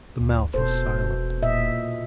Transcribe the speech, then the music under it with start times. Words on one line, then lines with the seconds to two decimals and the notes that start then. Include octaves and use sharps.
The mouth was silent.
0.20 D2
0.54 E1 B2 A4 C5
1.42 A#2 D#5 E5